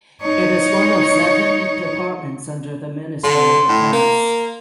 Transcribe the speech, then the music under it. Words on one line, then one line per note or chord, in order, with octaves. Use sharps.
It is one of seven departments under the Ministry of Defence.
D#4 C#5
D3 C6
A2
A#3